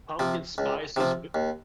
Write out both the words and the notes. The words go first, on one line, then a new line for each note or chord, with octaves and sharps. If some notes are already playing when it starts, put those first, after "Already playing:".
Pumpkin spices b
C3 F3
C#2
C3 F3
D#2